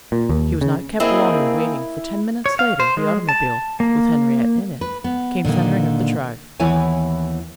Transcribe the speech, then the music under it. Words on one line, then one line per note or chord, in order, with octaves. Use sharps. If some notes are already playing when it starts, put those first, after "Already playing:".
She was not kept long in waiting, for ten minutes later the automobile, with Henriette in it, came thundering up the drive.
A#2
D#2
C#3
A#3 C4 E4 G#4 D#5
C#5
F5
C5
G#3
A5
A#3
B4
B3
A#2 D3 D#3 A#3
D#2 E3 B3 E4 C#5 G#5